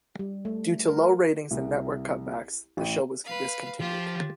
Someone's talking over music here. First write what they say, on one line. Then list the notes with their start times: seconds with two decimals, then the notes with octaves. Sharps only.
Due to low ratings and network cutbacks, the show was discontinued.
0.19 G3
0.45 A3
0.88 A#4
1.51 C2
2.77 A1
3.25 B4 F5
3.80 F3 F4 G4